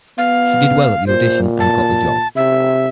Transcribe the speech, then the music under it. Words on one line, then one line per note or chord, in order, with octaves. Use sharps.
She did well at the audition and got the job.
B3 F5
A#2 C5
A5
C3 E5